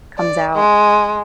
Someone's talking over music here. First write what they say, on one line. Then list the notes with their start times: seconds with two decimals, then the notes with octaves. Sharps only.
comes out.
0.18 D5
0.55 G#3